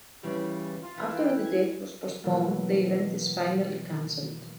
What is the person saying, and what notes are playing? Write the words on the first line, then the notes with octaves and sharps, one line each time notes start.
After the date was postponed, the event is finally cancelled.
C#3 E3 G3
F4
E3
G5
G#6
B2 E3 F#3 A3 A#3